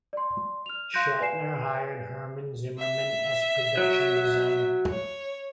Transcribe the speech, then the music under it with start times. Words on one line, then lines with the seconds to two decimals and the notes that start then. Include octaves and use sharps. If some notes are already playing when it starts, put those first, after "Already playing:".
Shatner hired Herman Zimmerman as production designer.
0.13 D5 C6
0.66 F6 F7
0.94 F5 C6 F#6 G6 A#6
1.20 B4 D5 G#5 C7 E7
2.79 E5
3.77 F#3
4.90 C#5